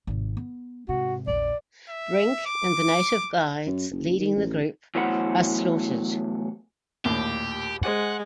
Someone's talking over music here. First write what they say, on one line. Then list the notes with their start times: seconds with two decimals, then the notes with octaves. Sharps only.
Brink and the native guides leading the group are slaughtered.
0.07 G#1 C3
0.37 B3
0.88 G#2 C3 F#4
1.27 A#1 E2 D5
1.89 E5
2.46 D6
3.67 F#2
3.92 F#1
4.19 D#3
4.36 A1
4.95 E2 A2 F#3 C5 F#5 B5
7.05 A#1 D#2 A2 G4
7.83 G#3 C5 F#5 G#5